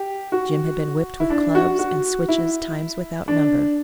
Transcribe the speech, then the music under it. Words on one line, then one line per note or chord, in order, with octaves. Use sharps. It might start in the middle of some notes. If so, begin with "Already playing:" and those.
Jim had been whipped with clubs and switches times without number.
Already playing: G4
F#4
E4
D4
F#4
F#4
E4
D4